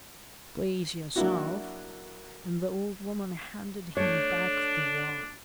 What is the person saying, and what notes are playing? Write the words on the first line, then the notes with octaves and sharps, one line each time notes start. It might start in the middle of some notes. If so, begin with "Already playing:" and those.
"Please yourself"--and the old woman handed him back the watch.
F#3 A#3 D4 E4 F#4
A3 D4 C#5